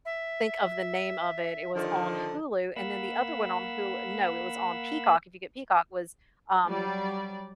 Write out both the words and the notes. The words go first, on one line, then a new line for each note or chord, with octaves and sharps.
think of the name of it. It was on Hulu and then the other one on Hul no, it was on Peacock, if you get Peacock, was, um,
E5
D3 D#3 F3
A#3 F5 F#5 B5 E6
F#3 G3 D5